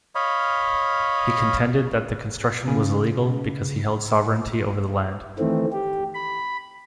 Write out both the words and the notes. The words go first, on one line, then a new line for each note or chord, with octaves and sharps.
He contended that the construction was illegal because he held sovereignty over the land.
C#5 D#5 F5 B5
C#3
D#3 E3 A3 C4
G4
B5